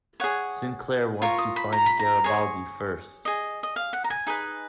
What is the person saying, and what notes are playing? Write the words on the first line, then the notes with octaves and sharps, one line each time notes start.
Sinclair wants to find Garibaldi first.
G#4 C#5 F#5
F4 A#4 C#5 C#6
D#6
B5
A#5
B5
A#5
G#4 C#5
G#4 D#5
D#5
F5
F#5
A#5
G#5
D#4 G#4 B4